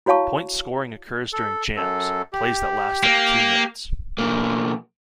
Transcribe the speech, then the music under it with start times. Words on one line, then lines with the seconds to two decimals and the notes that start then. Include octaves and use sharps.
Point scoring occurs during "jams": plays that last up to two minutes.
0.06 E4 F#4 C#5 F5 A5 C#6
1.33 A4
1.76 F#2 A4
2.33 G4
3.03 A#3
4.18 B1 A#3